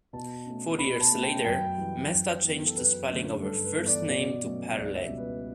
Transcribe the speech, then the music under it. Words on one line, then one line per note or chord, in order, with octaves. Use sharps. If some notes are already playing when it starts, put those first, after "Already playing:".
Four years later, Mesta changed the spelling of her first name to Perle.
B2 A5
A3 C#4
B2 B5
A5
A3 C#4
G5
F#2 G5
E3 G3
F#2
E3 B3
A4
F#2 B4
D3 A3 C#4
G2 A4
B4
E3 B3
D5
B2 D5
F#3 A3 C#4
C#2 D5
E5
B2 G3 C#4
B4